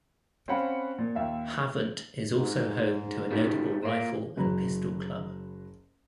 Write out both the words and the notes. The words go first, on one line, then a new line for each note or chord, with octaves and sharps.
Havant is also home to a notable rifle and pistol club.
C4 C#4 F5 F#5 B5
A#2
D#2 E5 F5
G#2
B2 D#3 G3
A#2 A#3
F#1 F#3 B4 A#5